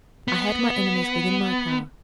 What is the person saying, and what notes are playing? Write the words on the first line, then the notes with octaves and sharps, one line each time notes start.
I had my enemies within my power.
B3